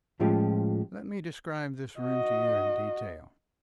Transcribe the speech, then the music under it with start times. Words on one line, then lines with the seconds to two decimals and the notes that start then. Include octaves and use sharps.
Let me describe this room to you in detail.
0.20 A2 F3 G#3 C#4 F4 G4
2.00 F#4 D#5